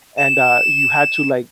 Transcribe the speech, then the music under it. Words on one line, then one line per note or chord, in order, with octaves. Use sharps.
and, uh, you had to, like,
E7